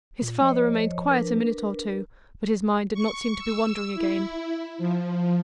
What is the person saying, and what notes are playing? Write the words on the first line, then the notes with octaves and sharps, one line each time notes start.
His father remained quiet a minute or two, but his mind did not seem to be wandering again.
A#2
F3 C5 C#5 D#5
D4 A#4 B4
C#6
E6
E4
F3